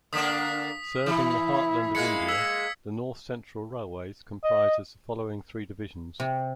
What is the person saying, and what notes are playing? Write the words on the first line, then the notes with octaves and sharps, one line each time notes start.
Serving the heartland of India, the North Central Railways comprises the following three divisions.
D3 A#3 D4 D#6 B6
E3 E4
G#3 A#3 C#7
E6 G#6 B6
D#5
C3